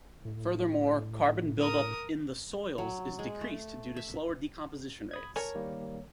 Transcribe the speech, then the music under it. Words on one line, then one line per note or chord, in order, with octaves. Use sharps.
Furthermore, carbon buildup in the soils is decreased due to slower decomposition rates.
A2
A#4 D#6
F#3
G#3
A3
E5
B5 D#6 G#6
A#4 C#5 G#5 A5
D#3 G3 A#3